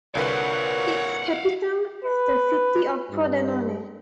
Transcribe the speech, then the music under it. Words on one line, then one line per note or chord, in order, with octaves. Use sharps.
Its capital is the city of Pordenone.
C2 A#2 D3 F#4 B4 C#5 F5 F#5
B4
G2